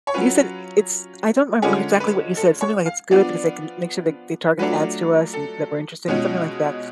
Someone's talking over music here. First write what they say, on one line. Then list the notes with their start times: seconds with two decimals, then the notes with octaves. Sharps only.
you said it's I don't remember exactly what you said, something like it's good because they can make sure, like, they target ads to us and that we're interested in something like that.
0.07 C#5
0.14 F#3 C#4 F4 B4
1.62 D3 G#3 C#4 F4 G#4
2.00 B4
2.37 A4
2.61 C#5
2.86 F5
3.11 F3 B3 D4 F4 D5
4.59 F#3 A3 D4 F4 B4
5.34 A4
6.08 B2 G#3 C#4 F4